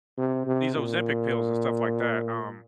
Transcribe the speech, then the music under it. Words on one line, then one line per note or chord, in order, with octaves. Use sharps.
these Ozempic pills and stuff like that, um
C3
C3
A#2